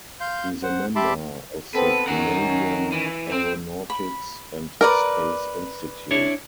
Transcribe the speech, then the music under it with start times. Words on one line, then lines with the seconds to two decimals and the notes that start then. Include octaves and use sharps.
He is a member of the Canadian Aeronautics and Space Institute.
0.20 F5 C6 G6
0.63 C5 F#5
0.96 G4 E5 A5 B5 C6 D6
1.75 B3 C4 A4 B4
2.08 D#3 C#4 A#4 F#5
2.92 E3
3.32 C4
3.90 B5
4.81 A#4 B4 D5 A#5
6.11 D4 E4 C#5